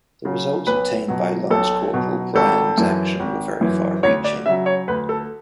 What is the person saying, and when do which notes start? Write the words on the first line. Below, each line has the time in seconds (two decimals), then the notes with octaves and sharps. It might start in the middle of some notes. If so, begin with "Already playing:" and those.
The results obtained by Lance-Corporal Bryan's action were very far-reaching.
0.25 C#3 F#3
0.67 B1 B4
1.08 B2 F#3
1.50 B1 A4
1.93 B2 F#3
2.35 G#1 A4
2.78 F#2 E3
3.20 G#1
3.61 F#2 E3
4.03 D2 C#5
4.24 D5
4.46 C#3 F#3 E5
4.66 C#5
4.88 D2 B4
5.09 A4